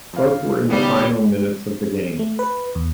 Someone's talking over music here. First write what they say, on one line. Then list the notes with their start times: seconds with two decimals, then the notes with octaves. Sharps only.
Both were in the final minutes of the games.
0.13 F2 F5
0.68 C#3 E3 G3 B3 D#4
2.19 A3
2.39 B4
2.75 E2